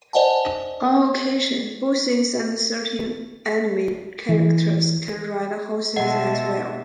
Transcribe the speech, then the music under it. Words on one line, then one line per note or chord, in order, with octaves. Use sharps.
On occasion, bosses and certain enemy characters can ride horses as well.
C5 D5 D#5 F#5 G#5 A5
E3
B2 G#3 D#5 E5 F#5 A5 C7